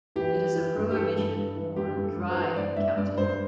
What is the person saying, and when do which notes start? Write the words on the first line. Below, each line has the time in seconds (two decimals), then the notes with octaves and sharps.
It is a prohibition, or "dry", county.
0.16 E3 G4
0.36 E3
0.56 E3
0.77 G2
0.91 G4
0.96 E3 A4
1.17 G2
1.36 G2
1.56 E3
1.76 G2 G4
1.96 G2
2.04 A4
2.17 G2
2.30 C5
2.37 E3
2.56 G2 D5
2.77 G2 E5
2.97 G2 D5
3.18 G2 C5